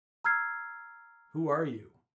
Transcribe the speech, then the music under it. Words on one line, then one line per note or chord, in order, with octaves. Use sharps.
"Who are you?"
A#5 E6 F6 G#6 C7